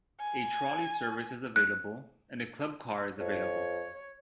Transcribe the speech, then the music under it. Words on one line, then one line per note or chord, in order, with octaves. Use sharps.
A trolley service is available, and a club car is available.
G#5
F#6
F2 C#5